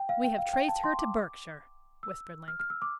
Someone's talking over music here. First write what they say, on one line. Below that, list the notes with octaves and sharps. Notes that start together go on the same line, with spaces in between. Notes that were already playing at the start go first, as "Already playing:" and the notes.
"We have traced her to Berkshire," whispered Link.
Already playing: G5
F5
G5
F5
G5
A5
C6
D6
E6
F6
F6
E6
D6